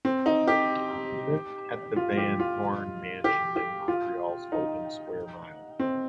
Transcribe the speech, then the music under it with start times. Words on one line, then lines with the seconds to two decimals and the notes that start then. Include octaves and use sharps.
He lived at the Van Horne Mansion in Montreal's Golden Square Mile.
0.05 C4
0.26 D#4
0.48 G4
1.96 F4
2.17 G4
2.40 F4
3.24 G4
3.56 G4
3.88 F4
4.52 D#4
5.79 C4